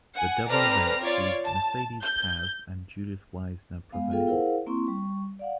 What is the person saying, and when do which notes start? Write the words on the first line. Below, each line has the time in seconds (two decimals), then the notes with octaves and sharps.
The double event sees Mercedes Paz and Judith Wiesner prevail.
0.16 F#5 G#5
0.48 C4 A4 B4 D5 A#5 F6
1.02 F4 C#5 D5
1.44 A5
2.01 G6
3.92 G#3 B3 F5
4.11 B3 F4 G#4 A4 F5 G5
4.27 E4 G#4 A#4 C5 F5 F#5
4.67 A#3 C4 E4 C6 C#6
4.87 G3 C#6
5.39 D5 F5 F#5